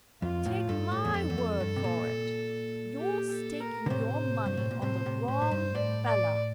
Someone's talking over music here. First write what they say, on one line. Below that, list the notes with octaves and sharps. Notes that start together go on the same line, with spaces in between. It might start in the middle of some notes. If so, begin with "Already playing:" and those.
Take my word for it, you're staking your money on the wrong fellah.'
F2 F4
A2
G2 A4
A2
E2
F2
E2
F2
G2
C3
A#2
G4
A4
A#4
D3
A2 C3 C5
G2
A2
A#2
A2 C3 C5
A2 C3
A2 C5
A2
G2
A2 D5
D5